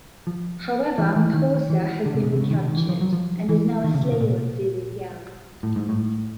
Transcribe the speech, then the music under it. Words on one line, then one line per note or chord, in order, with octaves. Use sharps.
However, Horsa has been re-captured and is now a slave on Caesar's galley.
F3
E3
E3
D#3
E3
D3
C3
B2
C3
C#3
D#3
D3
D#3
E3
F3
F#3
F3
E3
D#3
C#3
C3
B2
A#2
A2
G#2
A2